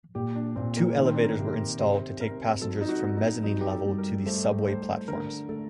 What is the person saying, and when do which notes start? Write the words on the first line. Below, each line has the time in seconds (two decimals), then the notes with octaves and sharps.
Two elevators were installed to take passengers from mezzanine level to the subway platforms.
0.15 A#2 G4
0.35 D4
0.56 A#2 C4
0.77 A#3
0.96 D#3 D4
1.05 C4
1.14 D4
1.24 A#4
1.39 C3
1.52 A#4
1.79 C3 C5
2.20 C4 A#4
2.61 F#3 A4
2.81 D#4
2.89 F#4
3.03 C4
3.17 D#4
3.44 F#3 D#4
3.61 G4
3.72 A4
3.85 G2
3.98 A#4
4.26 A3 C5
4.68 A3 C5
5.08 D3 A#4
5.49 A3 A4